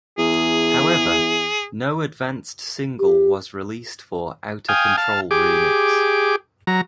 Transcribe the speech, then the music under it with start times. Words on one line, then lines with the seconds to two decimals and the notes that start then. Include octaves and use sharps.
However, no advanced single was released for "Outta Control Remix".
0.18 E2 G#4
2.99 G4
4.69 F5 G5 G#5 D#6
4.97 F5 A5
5.31 G4 G#4 D6
6.67 F#3 A#5